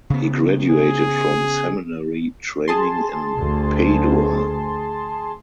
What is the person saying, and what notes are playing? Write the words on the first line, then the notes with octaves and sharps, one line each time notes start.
He graduated from seminary training in Padua.
C#3 B3
G#4
G#4 A5 C6
D2